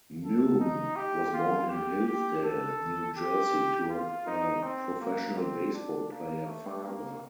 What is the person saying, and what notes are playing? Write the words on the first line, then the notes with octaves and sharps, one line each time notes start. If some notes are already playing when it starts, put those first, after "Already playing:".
Noone was born in Hillsdale, New Jersey to a professional baseball player father.
A4
D#4
G4
F4
G4
G4
A4
G4
F4
D#4
C4
A#3
C4
D4
A#3
A3
A#3